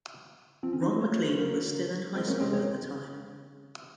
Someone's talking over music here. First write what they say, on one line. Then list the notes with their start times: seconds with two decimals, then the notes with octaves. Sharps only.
Ron MacLean was still in high school at the time.
0.63 F3 C4
0.73 C#4
0.82 D#4
0.91 F#4
1.01 C#5
1.20 C5
1.38 F#3 A#3 A#4
2.15 G#3 C4
2.28 A#3 C#4
2.40 G#3 C4
2.53 G#3 C4 C#5